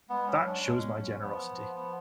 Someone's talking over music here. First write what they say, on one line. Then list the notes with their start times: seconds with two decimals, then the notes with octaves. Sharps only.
That shows my generosity.
0.09 G#3 B3
0.28 C#4
0.37 F#3
0.46 D4
0.65 G#3 C#4
0.92 F#3
1.20 F3 B3
1.49 F3
1.76 B3